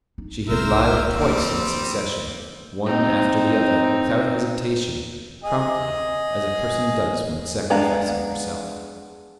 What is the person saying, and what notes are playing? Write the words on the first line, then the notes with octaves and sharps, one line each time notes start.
She had lied twice in succession, one after the other, without hesitation, promptly, as a person does when sacrificing herself.
D#4
C2 B3 A#4 C5 E5
F4
D2 G3 A#3 C4
C4 D#4
G#4 D#5
G#3 B3 D4 F5 A#5